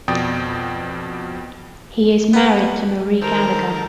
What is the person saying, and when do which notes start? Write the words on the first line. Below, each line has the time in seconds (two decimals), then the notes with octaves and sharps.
He is married to Marie Gallager.
0.08 F2 B2 D5 G5 D#6 A6
2.33 B3
3.21 D#3 A4 A#4 C5